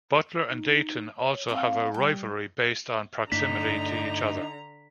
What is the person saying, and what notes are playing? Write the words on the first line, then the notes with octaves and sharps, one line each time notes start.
Butler and Dayton also have a rivalry based on proximity to each other.
D#4
C#5
F3 A#3 C4 E4
G3 G5
G2 D3 A3 D4 D#4 A#5 B6